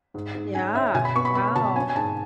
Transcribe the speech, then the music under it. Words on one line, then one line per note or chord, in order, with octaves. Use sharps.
Yeah. Wow.
G#2
G#2
C#4 G#5
C#4 E5
B2 G#5
B5
B3 C#6
B5
B3 B5
B2 A5
C#4 G#5
G#5
G#2 A5